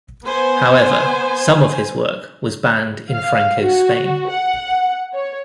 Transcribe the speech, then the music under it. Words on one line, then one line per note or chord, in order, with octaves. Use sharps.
However, some of his work was banned in Franco's Spain.
B3 C5 G#5
F5
F#4
F#5
C#5